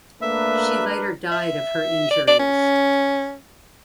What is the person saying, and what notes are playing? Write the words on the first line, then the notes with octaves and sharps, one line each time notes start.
She later died of her injuries.
A3 A#3 D4 A#4 B4 E5
E5
D5
D5
C#4